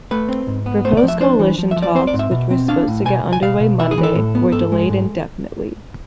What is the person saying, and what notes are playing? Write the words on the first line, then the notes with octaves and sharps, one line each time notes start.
Proposed coalition talks, which were supposed to get under way Monday, were delayed indefinitely.
A3 B4
C4
G#2
B3
A3 C5
D5
F3
E5
D4 C5
E3
F3
E5
F3
D5
C4 C5
D5
G#2
E5
B2
C4
D4 F5
A2
B2 G#5
C2
G#5
B2 F5
B2
E3 E5
G#4
E3
A4
A2
B3
G#2 A4
G#3
G#2